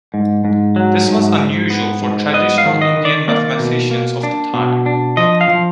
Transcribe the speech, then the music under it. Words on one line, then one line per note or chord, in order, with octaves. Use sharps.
This was unusual for traditional Indian mathematicians of the time.
G#2
G#2
F#3
G#2
G#2
B3
G#2
B3 D#5
F5
D#3
D#5
D#3
D5
A#3 D5
B2
A#3
D4
B2
D4
F3 D#5
F5
F3